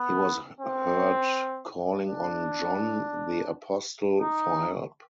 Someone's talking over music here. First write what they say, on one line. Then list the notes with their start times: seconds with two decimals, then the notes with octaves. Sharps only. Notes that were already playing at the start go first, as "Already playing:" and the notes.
He was heard calling on John the Apostle for help.
Already playing: B3
0.61 C4
2.04 D4
4.20 D#4